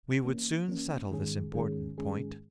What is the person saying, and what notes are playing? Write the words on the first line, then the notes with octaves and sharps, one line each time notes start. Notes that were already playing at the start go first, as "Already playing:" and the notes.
We would soon settle this important point.
E3 A#3 C#4
E3 A#3 C#4
G#2 D#3 G#3 C#4 G#4
G#2 D#3 G#3 C#4 G#4
G#2 D#3 G#3 C#4 G#4